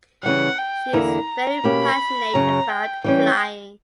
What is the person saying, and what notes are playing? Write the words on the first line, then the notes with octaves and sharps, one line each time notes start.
She is very passionate about flying.
C#3 E3 G3 F#5
G5
E2 D3 A#3 E4 A#5
B2 A#3 C#4 G4 B5
F#2 C#3 F#3 A#5
G5
E3 G3 C#4 G5